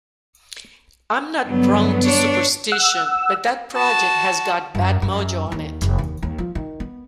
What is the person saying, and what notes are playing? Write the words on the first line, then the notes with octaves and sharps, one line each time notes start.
I'm not prone to superstition, but that project has got bad mojo on it.
G2 D3 F#3 B3
D4 C#5
F#5 E6
F#4 A5
F#2
F#2
D#2
F1
D#2
D#2
F3
D#3
B3